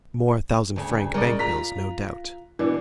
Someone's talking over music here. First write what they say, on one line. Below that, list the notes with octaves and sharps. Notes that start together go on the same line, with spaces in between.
More thousand-franc bank-bills, no doubt!
D2 C#3
C#3 G#3 A#4 D5
F4 A#5 B6
B2 E3 D4